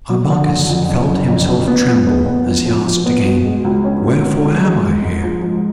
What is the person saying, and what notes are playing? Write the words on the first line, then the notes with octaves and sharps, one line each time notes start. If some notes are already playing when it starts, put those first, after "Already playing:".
Arbaces felt himself tremble as he asked again, 'Wherefore am I here?'
F#3
D3
F#1
F2
F#1
F#1
F2
F#3
B3
F3
B3
B3
F3
F3
F3
B3
B2
G#3
C#2
C#4
B2
B2
C#2
G#3
G#2
G#2
F3
F3